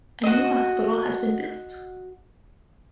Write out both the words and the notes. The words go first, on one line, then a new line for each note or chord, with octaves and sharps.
A new hospital has been built.
F#4 D#5